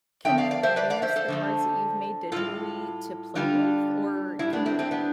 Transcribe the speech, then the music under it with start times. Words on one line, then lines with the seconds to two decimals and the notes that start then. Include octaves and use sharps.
Can you use the cards that you've made digitally to play with, or can you
0.25 D3 F3 A3 E5 G5
0.38 D5 F5
0.51 D5 F5
0.63 C5 E5
0.76 B4 D5
0.90 D5 F5
1.02 C5 E5
1.16 A4 C5
1.28 D3 F3 A3
2.32 A2 G3 F4 A4
3.35 D3 G3 D4 F4
4.39 A2 G3 C4 E4
4.53 B3 D4
4.66 A3 C4
4.79 A3 C4
4.91 B3 D4